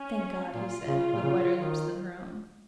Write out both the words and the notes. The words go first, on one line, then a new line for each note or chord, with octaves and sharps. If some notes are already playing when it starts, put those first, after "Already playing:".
"Thank God," he said, with whiter lips than her own.
Already playing: C#4
A#2 F4
C#3
A#2
C#3
D#3